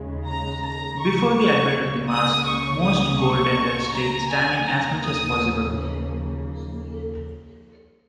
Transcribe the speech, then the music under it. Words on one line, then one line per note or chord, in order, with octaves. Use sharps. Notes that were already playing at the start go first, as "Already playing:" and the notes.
Before the advent of the mask, most goaltenders stayed standing as much as possible.
Already playing: D#2 C#3 G#3
A#5
A#5
C#6
C#6
C#2 C#3 A#3
D#6
C#6
D#6
C#6
A#5
G#5
D#2 C#3 F3 A#3 A#5
D#6